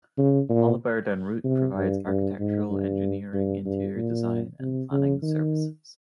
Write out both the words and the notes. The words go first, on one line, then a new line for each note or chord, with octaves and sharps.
Holabird and Root provides architectural, engineering, interior design, and planning services.
C#3
A#2
C3
G2
G2
G#2
G2
G2
G2
A#2
C3
C#3
D#3